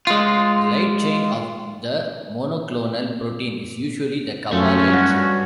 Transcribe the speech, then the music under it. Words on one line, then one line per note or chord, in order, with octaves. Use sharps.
The light chain of the monoclonal protein is usually the kappa light chain.
G#3 F4
F#2 A3 C#4 F4
G2 F#4